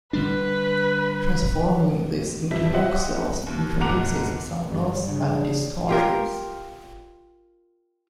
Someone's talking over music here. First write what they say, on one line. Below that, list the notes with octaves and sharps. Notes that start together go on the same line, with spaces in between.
Transforming this into voxels introduces some loss and distortions.
D3 G3 D4 B4
F2 F3 G3 E5 B6
F4 G4 C5 D#5 E5 F#5
D#2
F1 A#2 F#5 A#5 D6 F7
G1 G3
C#3 D4
F4 G4 A#4